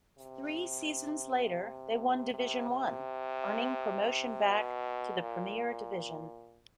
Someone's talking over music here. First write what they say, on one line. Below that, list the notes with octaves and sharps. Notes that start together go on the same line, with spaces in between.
Three seasons later they won Division One, earning promotion back to the Premier Division.
C3
C3
C3
B2
A#2